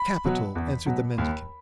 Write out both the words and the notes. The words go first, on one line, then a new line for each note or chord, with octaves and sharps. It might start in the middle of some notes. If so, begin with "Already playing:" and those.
"Capital," answered the mendicant.
Already playing: B5
B2 F#3
E2
B2 F#3
D#2